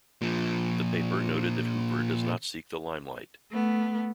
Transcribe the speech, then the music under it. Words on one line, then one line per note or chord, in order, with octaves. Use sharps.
The paper noted that Hooper does not seek the limelight.
A#2 F3
A3 B3